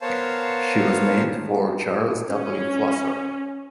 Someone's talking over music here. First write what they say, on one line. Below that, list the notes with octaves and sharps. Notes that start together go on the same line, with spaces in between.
She was named for Charles W. Flusser.
B3 A#4 C5 C#5 F5 A5
C#4